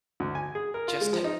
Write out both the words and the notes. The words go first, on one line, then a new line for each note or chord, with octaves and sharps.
just to
D2
G#5
G#4
A#4
F4
G#3
F3
D#4